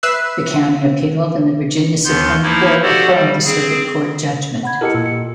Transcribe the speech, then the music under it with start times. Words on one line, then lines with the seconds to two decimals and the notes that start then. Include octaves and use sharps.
The County appealed, and the Virginia Supreme Court affirmed the Circuit Court judgment.
0.03 B4 E5 E6 F#6 C7
2.05 D#2 B3 C6 G6
2.42 F3 A#3 D#4 E4
2.82 F#4 G4 A4 C5 D5 F#5
3.12 G3
3.44 C4 G#4
4.63 F#5 B5 G#6
4.81 E4 G4 A4 A#4 D#5 C#7
4.94 A#2 E6
5.06 C#7